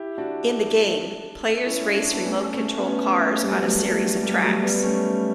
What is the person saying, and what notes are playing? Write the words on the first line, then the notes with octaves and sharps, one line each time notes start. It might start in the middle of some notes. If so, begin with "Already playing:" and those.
In the game, players race remote control cars on a series of tracks.
Already playing: E4 G4
D4 F#4
C#4 E4
D4
C#4
B3 D4
A3 C#4
A3 C#4
B3
A3 C#4
G3 B3
F#3 A3
G3
F#3
G3
F#3 A3
G3 B3
A3 C#4